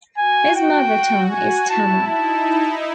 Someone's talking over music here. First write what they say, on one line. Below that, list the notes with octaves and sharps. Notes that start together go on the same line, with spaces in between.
His mother tongue is Tamil.
F#4 G#5
G5
F#4
G#5
E4 A5
D#4 A5